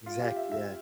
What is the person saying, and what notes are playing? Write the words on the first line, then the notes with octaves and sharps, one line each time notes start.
Exactly, yeah.
F4
G4
E5
E5